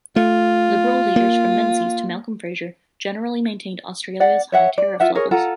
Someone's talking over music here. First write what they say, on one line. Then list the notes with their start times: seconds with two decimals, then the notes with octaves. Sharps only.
Liberal leaders from Menzies to Malcolm Fraser generally maintained Australia's high tariff levels.
0.16 A3 F4
1.16 A#3
4.20 D5 F#5
4.52 C#5 E5 F#5
4.78 D5
5.00 F4 E5 F#5
5.15 G#4 A#4 C#5
5.31 F4 A4 F#5 A#5